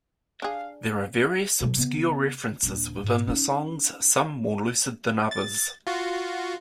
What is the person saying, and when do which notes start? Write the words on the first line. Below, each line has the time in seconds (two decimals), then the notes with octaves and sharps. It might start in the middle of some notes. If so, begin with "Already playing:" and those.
There are various obscure references within the songs, some more lucid than others.
0.42 D4 G#4 F5
1.60 B2 F#3
1.76 C#3 B3
2.63 D#1 D4
3.03 G#2
3.27 C#4 D#4
5.31 A6
5.87 F4 F#4